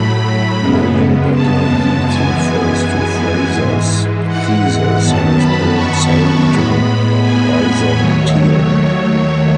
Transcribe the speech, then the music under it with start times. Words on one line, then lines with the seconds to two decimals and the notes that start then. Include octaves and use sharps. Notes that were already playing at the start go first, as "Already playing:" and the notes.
William Butler Yeats refers to Frazer's thesis in his poem "Sailing to Byzantium".
Already playing: A2 F#3 A3 B5
0.59 F#2 C#3 G#3 B3
1.33 A5
2.06 F#2 E3 G#3 B3 G#5
3.53 G#2 E3 G#3
4.27 F#5
5.00 F#2 D#3 F#3 B3 A5
5.37 B5
5.74 C#6
6.47 A2 G#3 B3 B5
7.21 G#5
7.57 G#5
7.94 D#2 D#3 F#3 A3 C#5